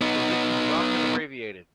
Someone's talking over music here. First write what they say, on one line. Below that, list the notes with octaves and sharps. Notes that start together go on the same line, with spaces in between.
The position is often abbreviated.
B3 D#4